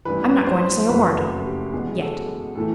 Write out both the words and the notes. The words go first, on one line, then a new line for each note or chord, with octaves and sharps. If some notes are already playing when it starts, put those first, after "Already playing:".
I'm not going to say a word--yet.
A1 G2 E3 B4
C5
F#1 F2 C#3 F#3 A3 B4
A4
G4
E2 B2 G#3 G#4
A4
A2 E3 A3 A4